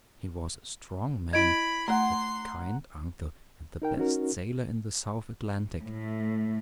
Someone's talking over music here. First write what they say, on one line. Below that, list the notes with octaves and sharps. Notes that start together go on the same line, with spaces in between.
He was a strong man, a kind uncle and the best sailor in the South Atlantic.
E4 D#5 B5 G#6 D7
A3 F#5 A#5 C6
D#4 A#4 G5
C#4 D#4 F#4 A#4
A2 A3